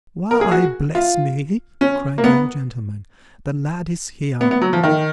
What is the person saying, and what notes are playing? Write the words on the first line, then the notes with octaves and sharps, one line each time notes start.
'Why, bless me,' cried the old gentleman, 'the lad is here!
A#4
G#4
F#4
F4
C#4
A#3
B3
B3
B3
F#3
F3
D#3